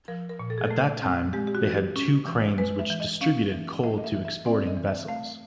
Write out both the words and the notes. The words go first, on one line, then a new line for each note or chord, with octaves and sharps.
At that time, they had two cranes which distributed coal to exporting vessels.
F3 A#4
A#4
A#2
A4
G#4
A4
A3
C4
G#3 G4
G4
F#4
E3
G4
C#4
E3
G#3 B4
E5
E3
D#5
C#4 F5
E3
A3 D#5
D#5
E5
E3
E5
C4 D5
D#5
E3
E5
A3 F5